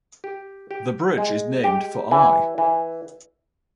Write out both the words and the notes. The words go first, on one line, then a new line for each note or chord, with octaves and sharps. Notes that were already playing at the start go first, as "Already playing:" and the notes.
The bridge is named for I.
G4
G4
G#3
G4
E3
E3